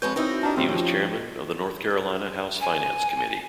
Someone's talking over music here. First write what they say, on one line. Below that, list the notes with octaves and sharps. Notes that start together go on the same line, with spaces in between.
He was chairman of the North Carolina House Finance Committee.
F2 G#3 B4 C#5 G6
E3 C4 D#4 E4 F#4 A#4
D4 F4 G4 D#5 A5 A#5
F#2 A#2 A3 C4
F3 C#4
G#5